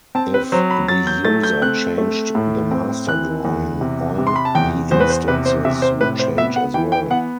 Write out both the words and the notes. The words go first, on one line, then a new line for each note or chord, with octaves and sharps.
If the user changed the master drawing, all the instances would change as well.
C4 A5
B4
F#3 C5
B5
F#3 A6
G6
A3 A6
G6
C4 F#6
A3
A2
C4
E3 F#6
E2
C3
C3
C6
B5
A5
E2 G5
E2 C5
B4
C5
C3 B4
C5
C3 E5
C5
A2 B4
C5
B3 E5
F#5
E3 G5
G5
B3 F#5